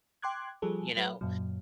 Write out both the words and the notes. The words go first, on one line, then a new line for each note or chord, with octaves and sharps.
you know?
G5 C6 D6 F#6 G#6
F3 G3 G#4 A4
F#3 B4
F#2 A#2 F#3